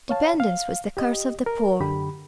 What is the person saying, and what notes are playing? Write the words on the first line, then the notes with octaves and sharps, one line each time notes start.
Dependence was the curse of the poor.
C#5 F5 A5
F5
G4 D#5
A#4
F#2 D3 G4 B5